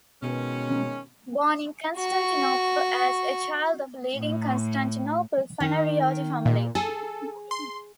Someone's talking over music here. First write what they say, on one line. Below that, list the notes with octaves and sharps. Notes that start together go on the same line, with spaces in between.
Born in Constantinople as a child of a leading Constantinople Phanariote family.
B2 D#3 G#3 C#4
F#4 C#6
A2
D#3
A#2
G#4 A4
C6